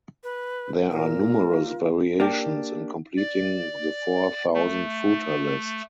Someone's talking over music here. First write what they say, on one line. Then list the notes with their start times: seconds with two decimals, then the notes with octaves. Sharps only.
There are numerous variations in completing the Four Thousand Footer list.
0.23 B4
0.91 A#2 A#4
1.49 F4
2.20 A#3 D4 G4
3.17 D5
4.54 A3